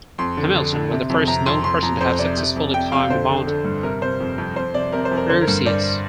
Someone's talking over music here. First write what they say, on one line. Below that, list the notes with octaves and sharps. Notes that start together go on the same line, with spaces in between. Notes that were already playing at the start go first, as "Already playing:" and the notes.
Hamilton was the first known person to have successfully climbed Mount Erciyes.
F2 C6
D3
D3
D3
C3
F2
C3 A#5
F2 C6
F2 C6
F2 A#5
F2 C5
C3 D5
C3
F2
C3 G5
F2 F5
D3 C5
D3
D3
G2
C3 A#4
C3 C5
F2
F2
F2 C5
C3 D5
C3 A#4
C5
F2
A#4
D3 C5
A#4
G2
G2 D5